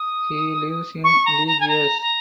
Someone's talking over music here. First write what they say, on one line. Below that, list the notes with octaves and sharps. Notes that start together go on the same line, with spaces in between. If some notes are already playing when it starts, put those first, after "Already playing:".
He lives in le Gers.
Already playing: D#6
C#6
A#5
A#5
G#5
A#5
A#5